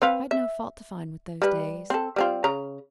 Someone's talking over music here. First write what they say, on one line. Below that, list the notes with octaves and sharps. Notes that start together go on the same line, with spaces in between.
'I'd no fault to find with those days.
C4 B4 F5
E5
G3 B4
C4 A4
G3 C4 F4
C#3 A#5